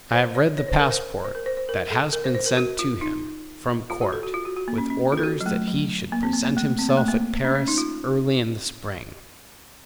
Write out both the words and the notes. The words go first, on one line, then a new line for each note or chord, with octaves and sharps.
I have read the passport that has been sent to him from court, with orders that he should present himself at Paris early in the spring.
C5
C#5
C#5
C5
A#4
C5
C5
A#4
C5
C5
A#4
A4
A#4
C5
C5
A#4
F#4
F4
D#4
F4
F#4
A4
F#4
F4
F#4
F#4
A#3
C#4
C#4
F4
A4
F#4
F#3
A3
F#3
A#3
C4
A#3
A#3
A3
C4
A#3
A3
A#3
C#4
C#4
D#4
F4